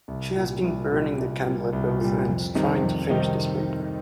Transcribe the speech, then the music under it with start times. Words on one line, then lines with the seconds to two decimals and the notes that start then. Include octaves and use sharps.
She has been burning the candle at both ends trying to finish this paper.
0.08 C2
0.36 A#2 G3
0.64 C2
0.90 A#2 G3
1.18 C2
1.46 A#2 G3
1.73 C2
2.01 A#2 G3
2.28 F2
2.55 C3 D#3 G3 D#4
2.83 F2
3.10 C3 D#3 G3 D#4